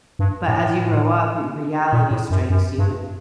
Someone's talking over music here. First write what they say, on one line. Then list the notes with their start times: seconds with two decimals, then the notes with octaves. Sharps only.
But as you grow up, y reality strikes you, and
0.19 G2
0.48 A2
1.93 A#2
2.11 A2
2.31 F#2
2.50 F#2
2.78 G2